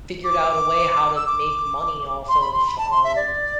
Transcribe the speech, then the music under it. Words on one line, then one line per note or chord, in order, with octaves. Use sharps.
figured out a way how to make money off of, um,
D6
E6
D6
C6
B5
C6
B5
A5
C6
E5
D5